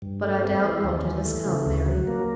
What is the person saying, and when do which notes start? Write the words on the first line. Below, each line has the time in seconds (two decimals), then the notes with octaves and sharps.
"But I doubt not it has come, Mary."
0.02 G2
0.22 A3
0.44 C4
0.64 E3
0.84 D#2
1.05 E3
1.25 A3
1.46 C#3
1.66 D2
1.86 F#3
2.07 A#3